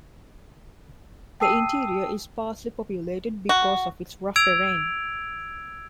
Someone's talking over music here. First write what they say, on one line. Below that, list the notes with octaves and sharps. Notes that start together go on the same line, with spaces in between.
The interior is sparsely populated because of its rough terrain.
G5 A5 D#6 E6 C7 D#7
F#4
E6 G#6 D7 F7